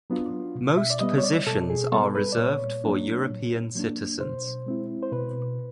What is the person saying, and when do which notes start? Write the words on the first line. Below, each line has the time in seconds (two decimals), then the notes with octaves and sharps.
Most positions are reserved for European citizens.
0.10 F#3 B3 D4 F4
0.55 B2
0.77 E5
0.90 D5
1.00 G3 B3 D#5
1.18 C#5
1.24 D5
1.47 B2 A4
1.70 G#4
1.92 G3 B3 A4
2.15 B4
2.32 D5
2.37 A#2 C#5
2.84 F#3 A#3 D4
3.30 A#2
3.75 F#3 A#3 D4
4.20 B2 C5
4.66 G#3 C4 E4
5.03 C5
5.12 B2 B4